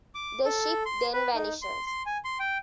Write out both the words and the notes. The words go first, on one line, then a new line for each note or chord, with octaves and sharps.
The ship then vanishes.
D6
A4
C6
B4
D#4
C6
C6
G#5
C6
G5